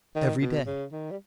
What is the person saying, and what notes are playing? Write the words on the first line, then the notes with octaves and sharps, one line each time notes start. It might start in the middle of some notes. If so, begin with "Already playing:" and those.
'Every day.
D#3
B2
C#3
D#3
G3